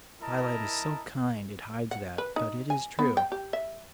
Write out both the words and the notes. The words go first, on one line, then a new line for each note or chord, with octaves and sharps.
The twilight is so kind it hides that, but it is true.
E4 A#4 D#5 A5 A#5
F#5
B4
D#4
G#5
B3
G5
G4
E5